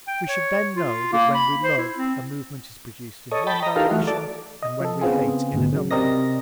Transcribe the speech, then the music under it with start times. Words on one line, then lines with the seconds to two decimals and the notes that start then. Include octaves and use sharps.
We should then know that when we love, a movement is produced in one direction, and when we hate, in another.
0.08 G5
0.29 C#5
0.76 F4
1.13 A#3
1.34 B5
1.64 C5
1.78 E4
1.96 C4
3.31 A4 C#5 D#5
3.47 G5 A5 B5
3.63 D#5 A#5
3.76 D#4 F4 G4 A4 A#4 F5
3.91 E3 A3 F#4
4.07 A4 D5
4.62 D#5
4.80 F3 A4
5.01 C#3 B3 C4 F4 G#4
5.53 G#1 D2 B2
5.73 C#3 F#3
5.91 C3 C4 A#4 D5 D#5 A#6